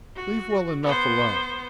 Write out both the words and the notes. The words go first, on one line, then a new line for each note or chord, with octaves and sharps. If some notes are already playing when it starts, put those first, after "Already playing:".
Leave well enough alone.
F#4
B3 C5